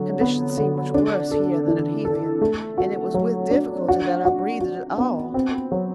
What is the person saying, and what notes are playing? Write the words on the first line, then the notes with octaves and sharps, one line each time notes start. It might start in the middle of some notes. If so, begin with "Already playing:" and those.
Conditions seemed much worse here than at Helium, and it was with difficulty that I breathed at all.
Already playing: D3 F#3
B3
D3
D4
A4
E3
A4
A3
F#4
F#3
D4
F#4
F#4
F#4
B3
C4
F#3